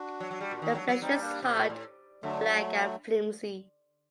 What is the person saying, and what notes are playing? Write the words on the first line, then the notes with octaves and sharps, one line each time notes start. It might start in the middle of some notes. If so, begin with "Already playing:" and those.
The flesh is hard, black, and flimsy.
Already playing: D4 F#4
F#3
F#3
G3
A#2
D#3
F#3
F#3
G3 C4 D#4
A#3 D4
C3
A#2
A2
D3 F#3 A3